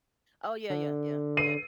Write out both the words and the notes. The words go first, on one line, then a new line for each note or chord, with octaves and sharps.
Oh, yeah, yeah, yeah, yeah.
D3
C7 D#7